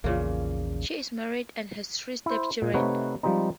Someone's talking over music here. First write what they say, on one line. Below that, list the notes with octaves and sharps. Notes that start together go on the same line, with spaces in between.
She is married and has three stepchildren.
A#1 E2 A#2 C#3 A#3
E4 C5
A#2
C3 A3 D#4 B4 C#5 F#5
F3 G3 G#3 C4 D#4